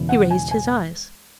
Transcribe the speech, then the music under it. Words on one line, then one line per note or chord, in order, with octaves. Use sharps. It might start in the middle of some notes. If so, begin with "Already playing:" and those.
He raised his eyes.
Already playing: E1 E2 C#3 E3
F#5
G#5
G#5